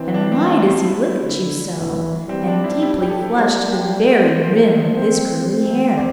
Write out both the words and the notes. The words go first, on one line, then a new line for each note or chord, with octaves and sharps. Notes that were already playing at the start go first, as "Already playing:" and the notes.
And why does he look at you so, and deeply flush to the very rim of his curly hair?
Already playing: E3 C4 D4
D4
C4
D4
E4
D3
E3
G3 C4
D4
E4
E4
G4
A4
G3 C5
G3
A3 C5
C4 C5
C4
D5